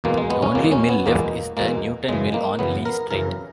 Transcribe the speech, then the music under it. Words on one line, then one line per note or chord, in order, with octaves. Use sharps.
The only mill left is the Newtown Mill on Lees Street.
E2 B2 G#3 A#3
G#3
B3
C#4
E2 B2 G#3 A#3
C#4
B3
E2 B2 G#3 A#3
E2 B2 G#3 A#3
F#2 C#3 E3 G#3
A#3
F#2 C#3 E3 B3
A#4
F#2 C#3 E3 A#4